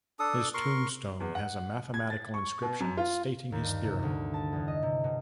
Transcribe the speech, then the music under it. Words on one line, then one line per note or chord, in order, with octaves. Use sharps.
His tombstone has a mathematical inscription stating his theorem.
D4 A4 D#6
A#4 C6 C#6
E2
F#5
G#6
A6
C#6
B2
F#2
F4
D#2
G2
C3
D2
A5
E2
D#5
C3
B2